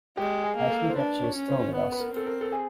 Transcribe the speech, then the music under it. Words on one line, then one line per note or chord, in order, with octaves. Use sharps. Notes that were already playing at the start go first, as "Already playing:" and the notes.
I see that she is still with us.
G#3 G4
G#4
A#3
A4
C5
D4 B4
C#5
C#4
C5
B3 B4
B4
A#4
C4 A4
A#4
A4
G#4